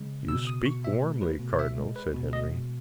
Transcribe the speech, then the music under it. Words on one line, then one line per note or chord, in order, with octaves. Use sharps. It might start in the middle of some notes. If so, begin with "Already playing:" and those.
"You speak warmly, cardinal," said Henry.
Already playing: C#3 G#3
B2 E6
D#6
B2 C#6
E5
A3
B4
B2
E5
G#3
B4
B2
D#5
B2